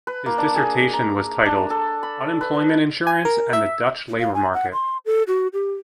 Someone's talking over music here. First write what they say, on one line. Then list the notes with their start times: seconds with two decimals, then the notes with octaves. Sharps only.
His dissertation was titled "Unemployment insurance and the Dutch labour market".
0.07 B4
0.26 A#3
0.38 D4
0.56 G#4
0.93 A#5
1.46 D4
1.70 A4
2.03 B5
2.41 B4
3.07 G#5
3.25 A#4
3.53 E5
4.20 F5
4.35 G#5
4.54 F#5
4.73 C6
5.06 A4
5.28 F#4
5.53 G4